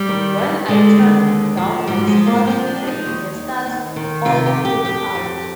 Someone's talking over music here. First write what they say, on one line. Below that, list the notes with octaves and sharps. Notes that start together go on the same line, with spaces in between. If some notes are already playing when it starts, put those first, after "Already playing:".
When I turned down my spot, the investors all pulled out.
Already playing: G3
D#3
G2
D3 G#3
D#2
D3
F3
G#2 G3
G#3
F3
A#3
F3 C4
D4
F3
D#4
D#2
D#2
D#2
D#3
C3 F4
G4
F2
G4
F2 G4
F2